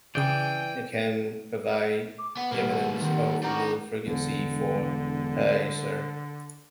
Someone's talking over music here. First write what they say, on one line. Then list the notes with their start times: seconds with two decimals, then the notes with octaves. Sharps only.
It can provide evidence of rule frequency for a parser.
0.15 C#3 E3 G#4 D5 G5 G6
2.19 D6
2.37 B3 F#5
2.51 B2 G3 A#3
3.01 D#3 C4 F#5
3.43 D4 G4 A#4 C#5 F#5 A#5
4.06 E1 D3